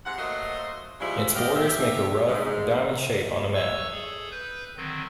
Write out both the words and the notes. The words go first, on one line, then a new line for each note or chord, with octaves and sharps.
Its borders make a rough diamond shape on a map.
G#2 C3 F#5
F#3 A3 A#3 C5 D#5
C#3 F3 G3 G#3 E4
G4 D5 D#5 F5
G4 E5
G#2
C#5 C#6 E6
G#4 A4
B4 G6
D3 D#3 F#3 C4